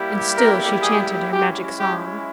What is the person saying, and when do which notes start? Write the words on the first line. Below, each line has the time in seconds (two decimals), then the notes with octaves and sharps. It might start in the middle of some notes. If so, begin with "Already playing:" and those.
And still she chanted her Magic Song.
Already playing: G3 A#3 E4 G4
0.35 A#4
0.83 G#4
1.30 G#3 C#4 E4 G4
1.79 G4